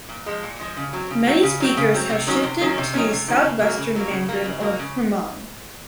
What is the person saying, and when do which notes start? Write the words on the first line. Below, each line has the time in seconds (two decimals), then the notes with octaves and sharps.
Many speakers have shifted to Southwestern Mandarin or Hmong.
0.09 A#2
0.26 F3 G#3
0.43 A#2
0.59 F3 G#3
0.77 C#3
0.93 F#3 C4
1.10 C#3
1.27 F#3 C4
1.43 C#3
1.60 F#3 C4
1.77 C#3
1.94 F#3 C4
2.10 C3
2.27 D#3 F#3 C#4
2.43 C3
2.61 D#3 F#3 C#4
2.78 C3
2.94 D#3 F#3 C#4
3.11 C3
3.28 D#3 F#3 C#4
3.44 C#3
3.61 F#3 A#3
3.77 C#3
3.95 F#3 A#3
4.11 C#3
4.29 F#3 A#3
4.45 C#3
4.61 F#3 A#3
4.79 C#3